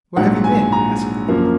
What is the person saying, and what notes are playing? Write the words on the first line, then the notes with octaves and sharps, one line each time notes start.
'Where have you been?' asked the thief.
A#1 G#2 F#3 F#5
G#5
A#5
F#2 F3 A#3